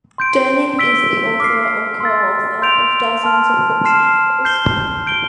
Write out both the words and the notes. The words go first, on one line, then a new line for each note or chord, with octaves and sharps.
Durning is the author or coauthor of dozens of books and articles.
C6 G6 D7
E6 B6 D7 G7
D6 F6 C7
C6 E6 A6
C6 G6 D7 F7
A5 C6 F6
A5 C6 F6 C7 E7
G6 C7 G7
G6 D7 G7